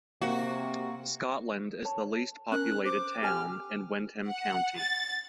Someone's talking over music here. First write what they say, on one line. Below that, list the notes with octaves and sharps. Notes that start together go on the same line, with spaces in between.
Scotland is the least populated town in Windham County.
C3 A#3 F#4
C#5 A5
C#4 A#4 F#6
C5 D6
G4 G#5 F6
F#5
A6